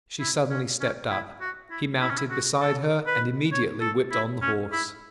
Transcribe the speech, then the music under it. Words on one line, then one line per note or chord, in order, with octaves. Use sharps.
She suddenly stepped up; he mounted beside her, and immediately whipped on the horse.
E4
C#4
C#4
E4
F#4
E4
E4
C#4
E4
F#4
A4
B4
C#5
A4
E4
C#4
E4